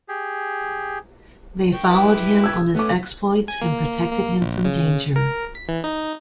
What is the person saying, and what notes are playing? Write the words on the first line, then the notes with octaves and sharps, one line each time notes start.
They followed him on his exploits and protected him from danger.
G4 G#4
G5 C#6
E4 G4 B4
E6 G#6
A3 B3 C#4 D6
G#5
A#3
A#3
A#1
C#3
A#4
B6
E3
D#4